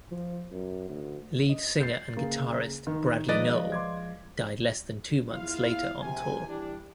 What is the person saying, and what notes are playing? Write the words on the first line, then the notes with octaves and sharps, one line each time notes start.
Lead singer and guitarist Bradley Nowell died less than two months later on tour.
F3
F#2
D2
D#5
G6 A6 C7
C#3 A#3
D#3
F3 G#3 B4 D5 D#5
C6 D6 G#6
E2 E4 F4 F5
A#1 C3 G#5
E3 G3 D4